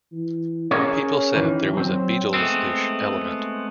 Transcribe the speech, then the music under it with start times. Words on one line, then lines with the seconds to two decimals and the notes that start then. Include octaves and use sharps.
People said there was a Beatles-ish element.
0.12 E3
0.71 C#4 G#4 A#4 C#5
1.36 D#3 E3
1.73 F#3 C4
2.34 G#3 A3 B3 C4